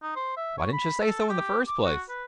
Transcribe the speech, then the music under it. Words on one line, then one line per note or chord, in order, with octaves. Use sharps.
Why didn't you say so in the first place?
D#4
C5
E5
C#5
B5
A4
G4
D6
F#4
B4